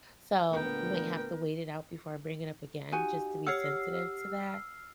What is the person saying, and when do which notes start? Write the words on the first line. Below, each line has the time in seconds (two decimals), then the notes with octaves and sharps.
so I might have to wait it out before I bring it up again just to be sensitive to that.
0.51 A#2 D3 A3 B3 A#4 G5
2.92 D#4 F#4 G4 G#5
3.47 C#5 F#5 E6 F6 C7